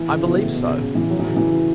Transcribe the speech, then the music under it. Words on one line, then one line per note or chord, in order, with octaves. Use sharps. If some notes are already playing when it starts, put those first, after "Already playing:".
"I believe so."
Already playing: E3
C#3
B2
A2
B2
C#3
C#3
E3
F#3
E3
C#3
E3